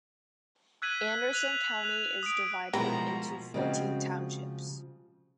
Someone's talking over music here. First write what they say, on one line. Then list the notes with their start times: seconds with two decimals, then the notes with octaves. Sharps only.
Anderson County is divided into fourteen townships.
0.82 E6 F#6 G#6 B6 D#7 F#7
1.33 F#6 F7 F#7
1.84 F#6 F7
2.23 D#6 D7
2.73 B2 E3 F3 G#3 G4 A#4 B4 A#5
3.54 C#3 F3 G3 G#3 C4 F#4